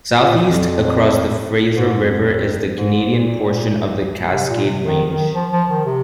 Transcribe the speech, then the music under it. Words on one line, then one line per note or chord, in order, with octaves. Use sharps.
Southeast across the Fraser River is the Canadian portion of the Cascade Range.
A#2
F2
G#2
F2
G#2
G#2
A#2
C3
A#2
C3
D#3
D#3
F3
F3
D#3
C3